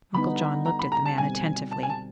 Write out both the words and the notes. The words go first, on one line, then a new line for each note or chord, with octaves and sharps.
Uncle John looked at the man attentively.
D3 G3 B3 D#4 B5
A#5
B5
A#5
A5
B2 G3 C4 G#5
A5
G#5
A5